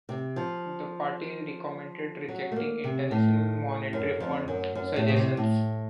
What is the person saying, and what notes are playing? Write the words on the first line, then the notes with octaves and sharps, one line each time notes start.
The party recommended rejecting International Monetary Fund suggestions.
C3
F3
F#3
A3
A#3
C3
A2
F#2
F2
F#2
F#2
A2
C#3
C3
A2